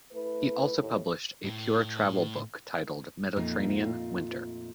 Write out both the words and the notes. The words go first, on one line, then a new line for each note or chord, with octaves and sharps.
He also published a pure travel book titled Mediterranean Winter.
A3 E4 B4
D#2 A2
A2
F2 A#2 A3 D#4 F4